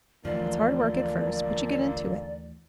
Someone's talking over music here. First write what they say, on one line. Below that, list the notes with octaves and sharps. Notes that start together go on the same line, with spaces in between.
It's hard work at first, but you get into it.
D#2 A#2 D3 E3 F3 A3 A#3 D5